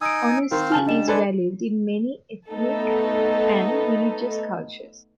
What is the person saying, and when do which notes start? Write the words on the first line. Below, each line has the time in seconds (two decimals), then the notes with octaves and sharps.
Honesty is valued in many ethnic and religious cultures.
0.01 D#4 G#5 D#6 E6 D7
0.51 D#3 C4 C5 F5
0.72 C#3 G#5 A5 F6
0.86 G3 D4 D#5 E7
1.08 G#3 A4 B4 D5 G#5
2.50 A3 B3 D#4 A4